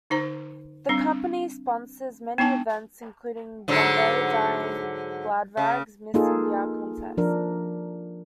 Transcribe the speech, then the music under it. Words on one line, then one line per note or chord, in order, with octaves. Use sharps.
The company sponsors many events, including Bombay Dyeing Gladrags Mrs. India contest.
D3 D#4 C5 A#5
G3 C4 D4
B3 D4 D#4 G#5 A5
G#2 D3 F#3
C#3
A#3 D#4 F4 G#4 A4
F3 D4 A#4